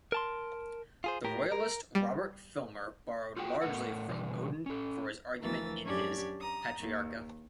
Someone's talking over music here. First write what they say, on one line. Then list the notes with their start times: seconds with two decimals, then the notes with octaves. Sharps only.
The royalist Robert Filmer borrowed largely from Bodin for his argument in his "Patriarcha".
0.12 A#4 A5 C6
1.04 F4 G#4 C5
1.24 A2 G4 A#4
1.52 A#4
1.95 G3
3.37 F4 F#4 G#4 F#5 G5
3.62 A2 A3 A#4 F#5
4.09 B2 D3 E3 G3
4.66 C#4 A4
5.41 D2 E3 F3 A#4 E6 A6
5.84 F#2 C#4 D4 G4 D5 G#6
6.39 A#5 D#6
6.80 D#2